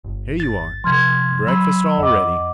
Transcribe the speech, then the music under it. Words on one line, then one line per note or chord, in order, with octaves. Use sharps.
Here you are, breakfast all ready!
G1
A6
C3 F3 C6 F6 G#6
F#3 B5 E6
F2 D#5 F#5 D6